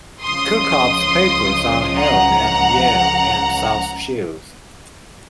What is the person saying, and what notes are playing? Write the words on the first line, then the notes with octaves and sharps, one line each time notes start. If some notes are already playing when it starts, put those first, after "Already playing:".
Kirkup's papers are held at Yale and South Shields.
C#2 C#3 F3 C6 D#6
F#5 A#5